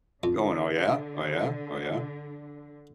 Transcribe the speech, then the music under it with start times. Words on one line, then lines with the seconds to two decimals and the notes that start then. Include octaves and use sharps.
going, "Oh, yeah, oh, yeah, oh, yeah."
0.23 F2 D3